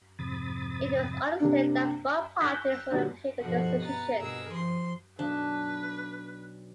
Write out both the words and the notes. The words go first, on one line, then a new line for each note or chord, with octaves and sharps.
It was understood that both parties would appeal the decision.
F2 G#2 C3 B5 D#6 A6
C3 A#3 D4
E6 F#6 G6 A#6 B6
A#2 D3 F#3 G3 B3
G2 B2 F3 F#4 A4 F#5
B3 B4 A#5 A6
G2 B2 G#4 A#4 E6
F3 C6
B1 D4 B4